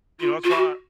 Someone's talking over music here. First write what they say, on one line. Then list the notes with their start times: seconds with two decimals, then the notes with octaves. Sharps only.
You know, that's why
0.20 F4
0.44 F4
0.50 F#4